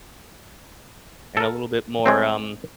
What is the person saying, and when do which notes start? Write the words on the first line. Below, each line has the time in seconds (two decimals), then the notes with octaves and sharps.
and a little bit more, um,
1.37 A4 A#4
2.06 G#3 A3 C4